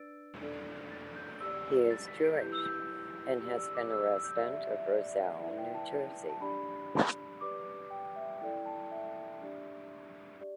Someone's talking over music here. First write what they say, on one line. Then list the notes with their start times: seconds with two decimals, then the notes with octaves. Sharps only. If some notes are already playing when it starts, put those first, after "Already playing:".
He is Jewish and has been a resident of Roselle, New Jersey.
Already playing: D4 B4 D5 E6 A6 D7
0.41 D4 A4 D5
0.91 A6
1.16 G6
1.41 G4 D5 E6
1.90 A6
2.07 B6
2.24 D7
2.40 E4 G4 B4 G6
2.52 E6
2.64 G6
3.40 G4 D5 E6
3.58 E6
3.75 D6
3.91 E6
4.15 E6
4.24 G6
4.33 E6
4.41 G4 D5 E5
4.53 E5
4.66 E5
4.79 E5
4.91 D5
5.07 E5
5.25 E5
5.40 E4 B4 D5 E5
5.58 G5
5.74 A5
6.29 A5
6.40 D4 G4 D5 B5
7.41 G4 B4 D5 D6
7.90 G5
8.16 E5
8.41 E4 A4 D5 G5
8.66 A5
8.91 E5
9.41 D4 G4 D5
10.41 G4 D5